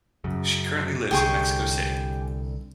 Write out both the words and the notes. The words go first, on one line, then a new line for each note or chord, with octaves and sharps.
She currently lives in Mexico City.
F#2 C#3
C2 D3 G4 G#4 C#6